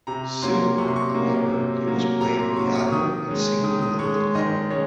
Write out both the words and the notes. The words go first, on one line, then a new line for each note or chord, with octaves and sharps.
Soon, however, he was playing piano and singing in local taverns.
C3 A#5
F#3 A#3 C#4 C6
C3 C#6
C6
C#6
F#3 A#3 C#4
C3
F#3 A#3 C#4
C3 A#5
C6
F#3 A#3 C#4 C#6
C#6
D#3 D#6
G#3 C#4
D#3 D#6
D#6
G#3 C#4 C#6
C6
D#3 D#5
G#3 C#4 C#5